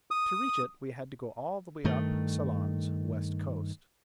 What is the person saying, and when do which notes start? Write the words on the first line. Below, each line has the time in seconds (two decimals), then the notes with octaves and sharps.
To reach it we had to go all the way up Ceylon's west coast.
0.11 D#6
1.84 G2 D#3 A3